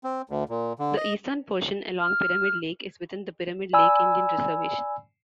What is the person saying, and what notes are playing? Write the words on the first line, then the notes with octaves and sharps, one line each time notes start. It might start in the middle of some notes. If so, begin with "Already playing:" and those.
The eastern portion along Pyramid Lake is within the Pyramid Lake Indian Reservation.
C4
D2
A#2
D3
D#5
F6
D5 G#5 B5 E6